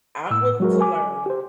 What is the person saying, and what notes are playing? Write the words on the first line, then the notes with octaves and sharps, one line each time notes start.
I'm willing to learn,
A2 E6
F#3 G#3 F#4 G#4 A#4
G#5 D6
G4 C5